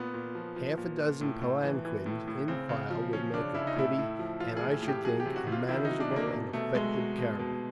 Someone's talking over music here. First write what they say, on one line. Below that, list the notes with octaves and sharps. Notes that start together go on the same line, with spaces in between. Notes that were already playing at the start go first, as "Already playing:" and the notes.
Half-a-dozen palanquins in file would make a pretty, and, I should think, a manageable and effective caravan.
Already playing: A#2 B3
A#2
F3
F3
A#2
A#2
A2
A2
E3
E3
A2
A2
C#3 C4
C#3
F3
F3 C#4
C#3 D4
C#3 E4
D#4
A2 E4
A2
F3
F3 F4
A2 G#4
A2
G4
F#3 G#4
G4
C3
F#4
C3
F4
D#3 E4
F#3 D#4
D4
C3 A#3
B2
B2 A3
F#3 G#3
F#3
B2
B2